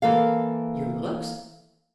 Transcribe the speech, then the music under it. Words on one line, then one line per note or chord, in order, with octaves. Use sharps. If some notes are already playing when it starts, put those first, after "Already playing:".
"Your looks?"
E3 A#3 A4 F5